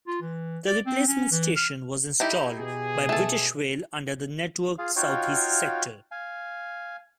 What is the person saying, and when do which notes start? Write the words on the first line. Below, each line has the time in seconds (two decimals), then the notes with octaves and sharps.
The replacement station was installed by British Rail under the Network SouthEast sector.
0.07 F4
0.22 E3
0.67 D5
0.86 C4
1.08 C#4
1.32 E3
1.57 F6
2.20 D#4 E4 G4
2.58 B2 G#4
3.09 A3 A4
4.78 F4 G#4 F5
4.96 D#4 F4 F#4 C#5 F5 G5
6.11 F5 G#5